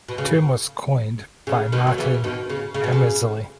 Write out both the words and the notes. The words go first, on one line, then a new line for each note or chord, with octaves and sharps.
The term was coined by Martyn Hammersley.
B2
C#3
C#3
B2 D#3
F#3
C#3 E3
B2 D#3
C#3
C#3
B2
C#3